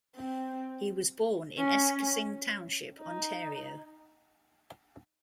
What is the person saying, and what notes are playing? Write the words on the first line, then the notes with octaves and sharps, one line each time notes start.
He was born in Esquesing Township, Ontario.
C4
C#4
D#4